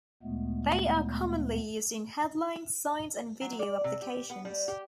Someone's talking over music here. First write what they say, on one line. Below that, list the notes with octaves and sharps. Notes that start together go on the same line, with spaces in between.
They are commonly used in headlines, signs, and video applications.
D2 A#2 G#3 A3 B3
F#3
D5
C3
G4
B3
G3
G4